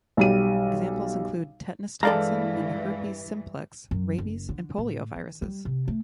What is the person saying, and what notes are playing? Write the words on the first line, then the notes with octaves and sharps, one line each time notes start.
Examples include tetanus toxin and the herpes simplex, rabies, and polio viruses.
B1 G3 D#7
G2 E3 G#3 A4 D5 F5 A#5
F#2
F#1
D3
A2
D#3
G3
C3
A3